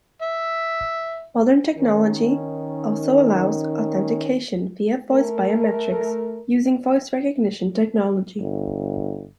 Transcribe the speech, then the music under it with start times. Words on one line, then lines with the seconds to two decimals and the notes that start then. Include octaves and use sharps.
Modern technology also allows authentication via voice biometrics using voice recognition technology.
0.22 E5
1.76 D#3 C#4
5.10 A3 A#4
8.40 G1